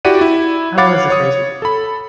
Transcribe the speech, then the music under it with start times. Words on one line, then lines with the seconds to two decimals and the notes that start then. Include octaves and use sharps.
that was it crazy
0.05 E4 F#4 G4 D5 F#5 D#7
0.21 E4
0.77 C#5 F5 F#5 B5 D6 A6
1.10 C#5 D#6 C#7
1.62 A4 B5